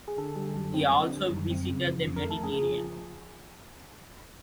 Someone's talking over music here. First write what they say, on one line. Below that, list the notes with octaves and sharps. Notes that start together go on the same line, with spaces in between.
He also visited the Mediterranean.
G#4
D3 A4
G3
F#2
C4
D3
G3
F#2
C4
C#3
F3
F2
A#4
A3
A4
C#3 G#4
F3